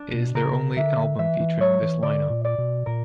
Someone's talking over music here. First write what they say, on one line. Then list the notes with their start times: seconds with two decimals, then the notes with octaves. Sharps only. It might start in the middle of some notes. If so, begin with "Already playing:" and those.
It is their only album featuring this lineup.
Already playing: D4
0.14 B2
0.35 C#3 A#4
0.77 D3 E5
1.19 E3 E5
1.40 E3
1.60 F#3 C#5
1.82 E3
2.03 D3 D5
2.30 A#2
2.45 D5
2.58 B2
2.86 A#2 A#4